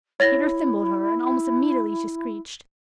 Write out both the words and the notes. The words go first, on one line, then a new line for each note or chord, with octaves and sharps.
Peter thimbled her, and almost immediately she screeched.
E4 C#5 A6 A#6